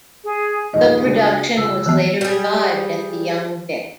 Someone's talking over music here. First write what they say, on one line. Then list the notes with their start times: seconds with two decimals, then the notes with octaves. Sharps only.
The production was later revived at the Young Vic.
0.24 G#4
0.73 A#1 D#2 A#3 G#4 D#5
1.06 C#2 D4 F#4
1.57 C#2 E6
1.86 E3 F3 B3
2.21 G3 G#4